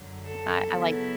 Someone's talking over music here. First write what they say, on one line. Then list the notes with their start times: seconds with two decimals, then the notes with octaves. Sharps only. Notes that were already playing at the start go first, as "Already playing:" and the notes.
I I like
Already playing: F#2 D3 F#3
0.24 A4
0.68 C#3 F#3 B3 E4